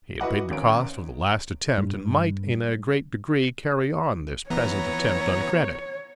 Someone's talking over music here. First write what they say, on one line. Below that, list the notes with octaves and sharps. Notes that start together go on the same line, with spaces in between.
He had paid the cost of the last attempt, and might, in a great degree, carry on this present attempt on credit.
E4 F#4 B4 D#5 F#5 D6
G#1 C#4 D7
G2
E3 B3 C#5 A#5